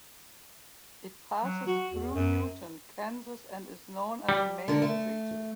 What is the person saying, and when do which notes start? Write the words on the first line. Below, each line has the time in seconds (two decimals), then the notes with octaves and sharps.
It passes through Newton, Kansas and is known as Main Street.
1.43 F#3
1.67 F#4
1.92 E2
2.14 F#2
4.29 G3
4.68 D3 A#4
4.82 A3